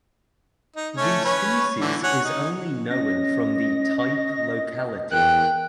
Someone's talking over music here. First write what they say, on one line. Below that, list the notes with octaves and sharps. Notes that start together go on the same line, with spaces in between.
The species is only known from the type locality.
D#4
A3 C#4 C#5
C#4 B4 C#5
D3 E3
C#5 F#5 G#5
D#4
C#4 D#5 A#6
E2 A#4 G5 F#6